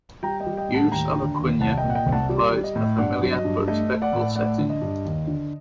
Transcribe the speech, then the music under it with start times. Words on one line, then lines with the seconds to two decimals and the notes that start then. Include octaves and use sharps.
Use of a kunya implies a familiar but respectful setting.
0.23 G3 G5 A#5
0.40 D#5 G5
0.46 G3
0.57 D#5 G5
0.69 A2
0.74 F#5 A5
0.92 D#2 G5 A#5
1.15 D3
1.38 D#2
1.60 C2 F#5 A5
1.77 D#5 G5
1.84 A#2
1.90 F#5
1.95 D#5 G5
2.06 C2
2.12 F#5 A5
2.29 G3 D5
2.53 G3
2.64 D#5
2.75 A2
2.98 G2 D5 F#5
3.22 F#3
3.33 D#5
3.44 G2
3.68 A3 D#5
3.90 A3
4.02 D5 F#5
4.13 A2
4.36 A3 D5 F#5
4.58 D3
4.70 D#5
4.81 G2
5.05 D#2
5.27 D3